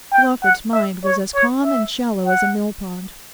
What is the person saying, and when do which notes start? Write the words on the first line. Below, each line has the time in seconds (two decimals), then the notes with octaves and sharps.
Lawford's mind was as calm and shallow as a millpond.
0.13 G5
0.43 F#5
0.73 E5
1.04 C#5
1.35 C#5
1.65 E5
2.25 F#5